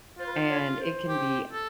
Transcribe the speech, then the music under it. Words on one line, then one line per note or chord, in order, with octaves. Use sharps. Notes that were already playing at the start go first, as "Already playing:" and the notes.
and it can be
F4 C5
B4
C5
C#5
C5
G4
A4